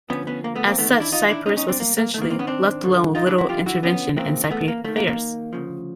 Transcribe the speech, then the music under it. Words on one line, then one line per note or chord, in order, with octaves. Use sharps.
As such Cyprus was essentially "left alone with little intervention in Cypriot affairs".
D2 D3 F3 B3 C#4
B3 C#4
A#3
A3 B3
A#3 C4
E2 C3 D#3 A3 B3
D4 E4
D#4 F4
D4 E4
C2 B2 C#4 D#4
C#4 D#4
C4 D4
A#3
A#3
G#2 D#3 A3 A#3
A#3 C4
B3 C#4
C4 D4
G2 D3 F3
D#4 F4
D4 E4
E4 F#4
F#2 D3 F3 F4 G4
E4 F#4
B3 C#4
E2 C#3 E3 A#3 C4
A3 B3
A#3
D#2 D#3 A3
A#3
A#3
D2 C#3 F3